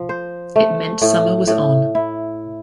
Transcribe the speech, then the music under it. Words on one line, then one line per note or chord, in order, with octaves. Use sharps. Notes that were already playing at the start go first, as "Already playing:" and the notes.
It meant summer was on!
Already playing: F3
C5
A3
A2
A2
E4